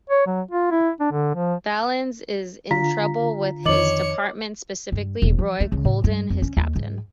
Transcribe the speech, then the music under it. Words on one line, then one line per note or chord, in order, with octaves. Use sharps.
Valens is in trouble with his department, specifically Roy Klodin, his captain.
C#5
F#3
F4
E4
D4
D3
F3
D3 F4 A#5 B6
F2 D#3 C#5 D#5 D6 C#7 F#7
G2
E1
F3
A3
C#2
A2
G2
F2
C#4
D#2
G#2